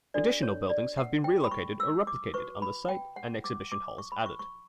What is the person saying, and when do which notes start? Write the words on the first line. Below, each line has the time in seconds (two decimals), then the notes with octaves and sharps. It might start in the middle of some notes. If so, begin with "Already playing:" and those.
Additional buildings have been relocated or replicated on the site and exhibition halls added.
0.14 D4 F#4 A4 D5
0.43 C#5
0.70 D5
0.98 F#5
1.24 G5
1.44 B5
1.51 C#6
1.80 E6
2.07 D6
2.34 F#4 B4 C#6
2.62 B5
2.89 G5
3.16 F#5
3.44 D6
3.72 D6
3.98 C#6
4.12 B5
4.26 C#6
4.39 C#6